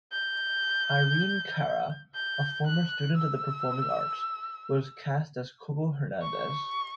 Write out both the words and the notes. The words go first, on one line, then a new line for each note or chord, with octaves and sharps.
Irene Cara, a former student of the Performing Arts, was cast as Coco Hernandez.
G6
G6
F#6
E6
C#6